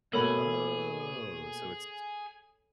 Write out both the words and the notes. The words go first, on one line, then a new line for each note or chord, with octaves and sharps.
Oh, so it's
B2 A3 A#3 G#4 A4 C#5 B5